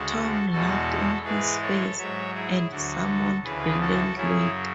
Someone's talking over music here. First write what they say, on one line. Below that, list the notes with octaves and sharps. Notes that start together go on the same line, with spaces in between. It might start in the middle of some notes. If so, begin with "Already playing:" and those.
Tom laughed in his face; and summoned the landlady.
Already playing: D2 C#3 G#3 F#4 A4
E2 B2 G#3 F#4 A4
G#2 E3 G#3 G#4 B4
A4 C#5
G#2 F#3 C#5 E5
E4 G#4
D2 D3 F#3 F#4 A4
D2 C#3 E3 G#4 B4
F#4 A4
F#2 C#3 F#3 E4 G#4